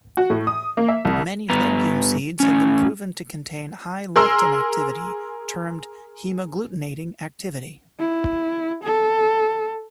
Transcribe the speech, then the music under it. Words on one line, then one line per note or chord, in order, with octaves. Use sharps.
Many legume seeds have been proven to contain high lectin activity, termed hemagglutinating activity.
F#4
A2
D#6
A#3
E5
C2
G2 B3 A#5
A2 C#4
G#4 A#4 C6 E6
E4
A4